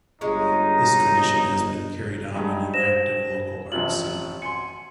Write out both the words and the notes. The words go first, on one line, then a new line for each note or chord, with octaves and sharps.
This tradition has been carried on in an active local arts scene.
G1 G#3 C#4 D#4
G2 G#3 D#4
C5 A#6 E7
A1 C3 F3 F#7
G#5 C6 C#7